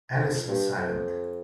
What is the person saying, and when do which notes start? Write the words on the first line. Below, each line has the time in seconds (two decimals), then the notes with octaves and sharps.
Alice was silent.
0.18 F2
0.47 G2
0.78 F2